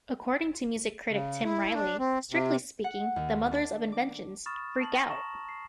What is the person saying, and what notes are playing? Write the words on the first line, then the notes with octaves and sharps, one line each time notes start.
According to music critic Tim Riley, "Strictly speaking, the Mothers of Invention's "Freak Out!
C#3
E4
D4
C4
C3
F#5
D#2
D4
D6
B5 C#6 D#6 F6 A6 E7
A5 F#7
A#6
A#5 C#6 E7
C7